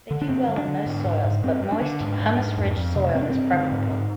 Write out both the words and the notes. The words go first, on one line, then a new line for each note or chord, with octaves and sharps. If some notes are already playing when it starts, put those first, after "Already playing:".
They do well in most soils, but moist, humus-rich soil is preferable.
D3
D4
G2 C4
G2
D4
D3
G#2
G#2
G#2
G2 C4
G2
D4
D3
G#2
G#2
G#2
F2
F2
C3
G2 C4
D4
G2 C4
D3
G#2
G#2